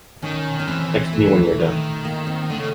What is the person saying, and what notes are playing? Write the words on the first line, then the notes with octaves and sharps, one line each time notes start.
Text me when you're done.
D#3 C#4
C#4
E3 C4
A3
D#3
A#3
C4
D3 A3
C#3